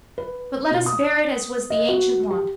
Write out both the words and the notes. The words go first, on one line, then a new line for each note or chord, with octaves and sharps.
But let us bear it as was the ancient wont.
B4
B2
D#6
D#5
F#4
G4